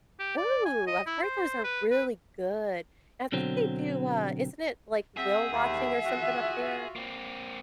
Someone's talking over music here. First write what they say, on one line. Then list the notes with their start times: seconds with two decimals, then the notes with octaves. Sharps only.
Ooh, I've heard those are really good. I think they do, uh isn't it, like, whale watching or something up there?
0.20 G4
0.37 D5
0.66 G#5
0.87 D#5
1.07 E4
1.23 C5
1.64 B4
1.91 B4
3.32 B2 D3 F#3 C4
5.17 C4 G#4 E5 F#5
5.52 D#2 E5
6.05 F4 F#4
6.96 A#3 C4